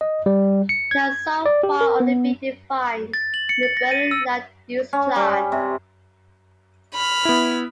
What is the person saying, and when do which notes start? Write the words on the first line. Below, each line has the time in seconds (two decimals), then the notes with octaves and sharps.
It has so far only been defined in the Berlin land use plan.
0.01 D#5
0.26 G3
0.69 C#7
0.91 G#6
1.46 D5
1.63 G4
1.81 A#4
2.00 B3
3.14 A6
3.34 F#7
3.49 C#7
3.63 A6
3.77 A#6
3.91 D#7
4.11 E6
4.93 C#4
5.16 G3
5.52 C3
6.94 B5 F6
7.25 B3 E4